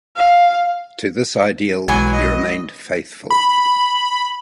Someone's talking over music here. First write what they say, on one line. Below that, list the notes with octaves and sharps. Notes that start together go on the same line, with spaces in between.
To this ideal he remained faithful.
F5
B1 E3 F#3 G#3 G#5
D#5
B5